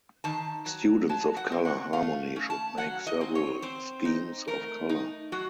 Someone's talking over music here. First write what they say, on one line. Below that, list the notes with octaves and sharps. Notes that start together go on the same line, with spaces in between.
Students of color harmony should make several schemes of color.
D#3 A5
F#3
F#3 A5
F#5
C4
F#5
A3 F5
C#4
A5
F#3 F#5
D#5
C4
C#5
C4 C5
D#4
A3 A#4
D#4
F#3 F#4